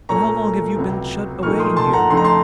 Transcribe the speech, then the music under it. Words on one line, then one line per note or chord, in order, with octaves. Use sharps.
"And how long have you been shut away in here?"
A#2 A3 C#4 A#5 C#6
C#2 C3 F#3
A#1 A#2 A3 D#4 C#6 F6
C6 D#6
A5 C6
F#5 A#5
F2 C#3 A3 D#4 C6
A#5
A5 C6